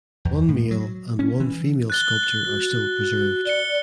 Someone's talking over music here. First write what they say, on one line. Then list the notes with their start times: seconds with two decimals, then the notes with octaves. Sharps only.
One male and one female sculpture are still preserved.
0.25 E2
0.48 A2
0.71 F#3
1.19 C#4
1.40 E3
1.90 F#6 A6 G7
2.47 F#4
3.46 D5 C#7 G7